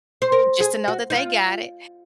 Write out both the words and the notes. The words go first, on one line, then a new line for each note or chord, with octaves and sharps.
just to know that they got it,
C5
A#4
G#4
F#4
D#4
F4